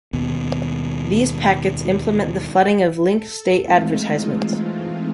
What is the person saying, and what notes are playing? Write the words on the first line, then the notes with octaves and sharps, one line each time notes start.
These packets implement the flooding of link state advertisements.
D#2 B2
A4
E3 G#3 A3 C4 D#4 F4